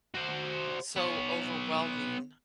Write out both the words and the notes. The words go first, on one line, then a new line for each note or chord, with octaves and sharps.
so overwhelming
F#4 C5
B3 C#5